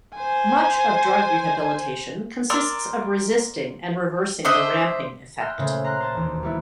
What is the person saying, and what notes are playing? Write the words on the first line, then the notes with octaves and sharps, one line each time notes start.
Much of drug rehabilitation consists of resisting and reversing the ramping effect.
C5 G#5
A#4 D5 C6 E6
D4 C5 D#5 E5
E5 F#5 G5 C6 F6
A#2 C#3 A3 C#4 C5
A#5 C6 F6 F#6
C5 A5 A#5
E1 D#2
G3 A#3 B3 E4 F4